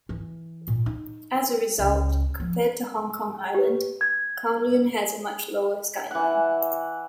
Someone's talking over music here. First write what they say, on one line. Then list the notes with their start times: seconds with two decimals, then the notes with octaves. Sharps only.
As a result, compared to Hong Kong Island, Kowloon has a much lower skyline.
0.09 E3
0.68 A#2
0.86 D#4
1.79 C#2
2.40 F3
3.55 G4 B4
4.01 G#6
6.11 E3 F#5